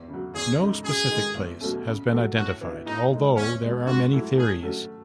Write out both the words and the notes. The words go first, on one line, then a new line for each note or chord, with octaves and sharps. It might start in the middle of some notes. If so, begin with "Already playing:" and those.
No specific place has been identified, although there are many theories.
Already playing: E2
C#3
F#3
E2 G#4
C#3 G#3 D#4
F#2 G#4
D#3 G#3
E2
B2 F#3 A3 C#4
C#3
F#3 A3
A2 F#4
E3 B3 E4
A2 D#4
G#3 D#4
E2 C#4
B2 G#3
G#2 F#4
F#3 A3 E4
A2 G#4
F#3 A3 C#4